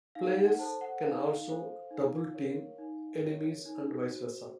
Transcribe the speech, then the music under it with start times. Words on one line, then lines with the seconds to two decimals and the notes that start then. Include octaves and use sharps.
Players can also double-team enemies and vice versa.
0.15 D#4 F5
0.37 F#5
0.59 A4 C5 A5
0.81 F#5
1.03 D#4 F5
1.47 A4 C5
1.91 D#4
2.34 A#4 C#5
2.78 D#4
3.21 A#4 C#5
3.65 D#4
4.09 F#4 C5